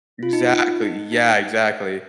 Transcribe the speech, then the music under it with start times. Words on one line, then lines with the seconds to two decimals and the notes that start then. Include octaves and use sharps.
Exactly, yeah, exactly.
0.23 F4
0.33 D#4
0.42 F4
0.53 D#4
0.83 D#4
1.12 D#4